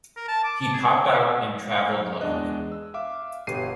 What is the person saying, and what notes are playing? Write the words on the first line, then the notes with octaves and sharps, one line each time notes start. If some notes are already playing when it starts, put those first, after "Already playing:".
He popped out and travelled lovely.
A#4
A5
D6
A5
G#4
E2 G#3 D4 D#5 F#6
E6
E5 F5 D6
G1 B2 B3 G4 C7 D#7